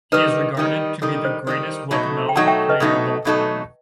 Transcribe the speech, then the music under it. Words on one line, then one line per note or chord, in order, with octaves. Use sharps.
He is regarded to be the greatest Guatemalan player of all time.
D#3 G3 D#4 B4
D#3 G3 D#4
D#3 G3 D#4 A4
C5
D#3 G3 D#4 C5
B2 F#3 A3 D#4 A4
G5
B2 F#3 A3 D#4 A4 F#5 A5
E5 G5
B4 D#5
B2 F#3 A3 D#4 A4
B2 F#3 A3 D#4 A4